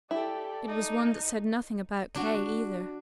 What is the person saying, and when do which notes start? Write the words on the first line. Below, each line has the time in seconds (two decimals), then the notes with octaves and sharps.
It was one that said nothing about Kay either.
0.11 E4 G4 A4 D5
0.68 D#4
2.15 D4 F#4